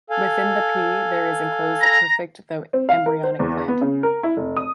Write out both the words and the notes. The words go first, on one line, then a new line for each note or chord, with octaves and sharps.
Within the pea, there is enclosed a perfect, though embryonic plant.
A4 F5 G#5
A#5
C4
F5
A#4
C5
E2
B3
C#3
A#4
E4
F1
D#6